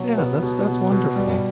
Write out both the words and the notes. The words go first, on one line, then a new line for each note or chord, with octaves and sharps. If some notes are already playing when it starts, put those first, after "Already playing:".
Yeah, that's that's wonderful.
Already playing: B2 F#3
B3
B2
B2
B2
G3